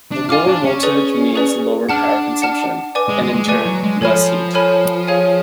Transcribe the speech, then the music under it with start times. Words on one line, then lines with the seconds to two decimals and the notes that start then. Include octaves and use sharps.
The lower voltage means lower power consumption, and in turn less heat.
0.12 D4
0.29 F4 D5 F5 G#5 D6 F6
0.47 D4
0.65 C#4
0.83 G#4 B4 D5
1.36 G#4 B4 D5
1.89 D4 F#5 A5 F6
2.42 F#5 A5 F6
2.95 B4 D5 G#5 D6
3.09 G#3
3.22 G#3
3.35 G#3
3.48 A3 B4 D5 G#5 D6
3.66 F#3
3.83 G#3
4.01 F3 A4 C#5 G#5 B5 F6
4.54 A4 C#5 G#5 B5 F6
5.08 G#4 C#5 F5 G#5